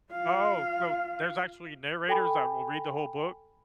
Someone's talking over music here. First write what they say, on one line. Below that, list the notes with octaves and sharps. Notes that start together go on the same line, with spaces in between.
Oh, so there's actually narrators that will read the whole book?
F4 F5
A4 G5 G#5 B5